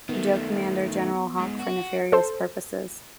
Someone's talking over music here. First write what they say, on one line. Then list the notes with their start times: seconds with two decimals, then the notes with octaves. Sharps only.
Joe commander General Hawk for nefarious purposes.
0.09 D#3 A3 B3
1.39 G#2
1.59 F#4
2.12 A4 C5